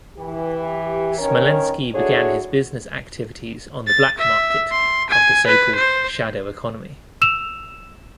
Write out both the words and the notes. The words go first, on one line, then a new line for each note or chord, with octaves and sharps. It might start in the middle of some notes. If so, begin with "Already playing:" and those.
Smolensky began his business activities on the black market of the so-called "shadow economy".
E3 G4
G2 D#3 C#4 A#4 C#5
D4 E4 F#4 G#4 A4 C#5
A6
E5
C6
G#5
B4
C5
E6 E7 F7